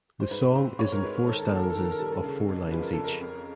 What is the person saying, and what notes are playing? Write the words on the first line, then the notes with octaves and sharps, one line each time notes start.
The song is in four stanzas of four lines each.
C5
G#2 B4
C4 C5
G#2 C#5
A#4
G#3 B4
D#3 A4
A#4
A4
A#4
A#3 A4
A#4
A4
D#3 A#4
A4
A#4
G3 A4
A#4
A4
C#3
F2
F3 B4
A#4
C#3 A4
A#4
F2